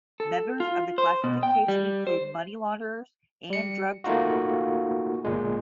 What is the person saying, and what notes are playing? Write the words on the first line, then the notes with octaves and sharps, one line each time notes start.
Members of the classification include money launderers and drug traffickers.
A4
F4
C5
B2
G5
G3
C5
G3 C#7
A3 A#3 D#4 F4 F#4
G1 A#2 G#3